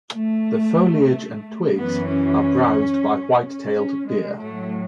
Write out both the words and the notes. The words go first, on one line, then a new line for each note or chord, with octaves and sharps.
The foliage and twigs are browsed by white-tailed deer.
A3
F#2 E3 B3
C#4
C#4
G#3
A2 F#3 A3